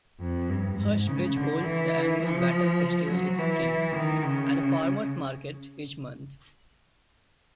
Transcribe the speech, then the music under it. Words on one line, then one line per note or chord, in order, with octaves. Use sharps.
Hurstbridge holds the annual Wattle Festival each spring, and a farmer's market each month.
F2
G2
G#2
C#3
D3
E3
F3
F#3
E3
D#3
C#3